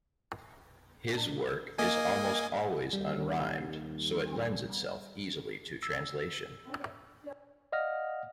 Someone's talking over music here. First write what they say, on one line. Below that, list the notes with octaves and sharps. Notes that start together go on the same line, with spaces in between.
His work is almost always unrhymed, so lends itself easily to translation.
A#3 D#5 G#5
D#2 G3
E6
D5 D#5 F5 F#5 F6 A#6